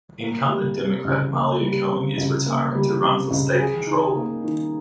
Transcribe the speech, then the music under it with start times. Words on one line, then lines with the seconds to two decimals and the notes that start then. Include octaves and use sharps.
Incumbent Democrat Malia Cohen is retiring to run for state controller.
0.20 A#3
0.49 G3
0.76 C3
1.05 C#2
1.33 A#3
1.61 G3
1.90 C3
2.18 C#2
2.46 A#3
2.75 G3
3.03 C3
3.31 C#2
3.59 G#4
3.87 D#4
4.16 A#3
4.44 D#3